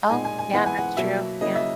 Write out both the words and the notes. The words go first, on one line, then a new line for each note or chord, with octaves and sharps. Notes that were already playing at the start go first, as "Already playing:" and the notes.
Oh, yeah, that's true. Yeah.
A#2 G#3 D#4 G#5
G#5
G#5
E3 G#3 B3 E4 F#5
G#5
F#5
B2 F#3 A#3 E5
C#3 F#3 A#3 E4 D#5
E5